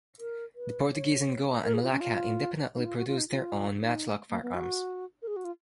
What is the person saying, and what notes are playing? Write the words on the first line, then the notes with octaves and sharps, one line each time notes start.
The Portuguese in Goa and Malacca independently produced their own matchlock firearms.
A#4
B4
C#5
A#4
G#4
F4
C#4
F4
D#4
F4
F#4
F4
D#4
F4
D#4
A#3
B3
F#4
A#4
G#4
F#4
F4